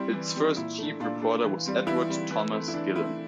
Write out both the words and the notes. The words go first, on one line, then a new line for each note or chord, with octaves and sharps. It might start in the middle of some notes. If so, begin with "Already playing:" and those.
Its first chief reporter was Edward Thomas Gillon.
Already playing: G3 C4 E4
E3
G3 C4
A#2 E4
A3 D4
A#2 D4 F4
A3 D4
E3
G3 C4
E3 E4
G3 C4
E3
A3 C4
E4
E3 D4
A3 C4 E4